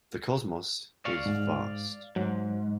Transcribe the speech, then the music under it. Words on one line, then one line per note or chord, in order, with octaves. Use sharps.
The cosmos is vast.
D5 F5 C#6
G#2
G#2 F#3